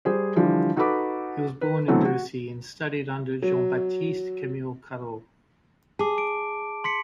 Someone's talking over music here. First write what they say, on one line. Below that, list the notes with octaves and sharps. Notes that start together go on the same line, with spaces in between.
He was born in Bercy and studied under Jean-Baptiste-Camille Corot.
G3 G#4 C5
D3 E3 F3 G3 D4
D#4 F#4 A4 B4 B5 D6
B4
D3 E3 F#3 A3 B3 C4
F#4
F#3
G#4 A5 D6
D7
C6 B6 C#7